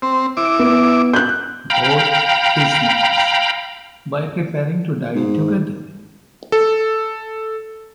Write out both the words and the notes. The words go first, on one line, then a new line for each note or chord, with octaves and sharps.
Both dismiss, by preparing to die together.
C4
E4 D6
B3
F#6 G6
F5 G5 A#5 B5
G#2
A4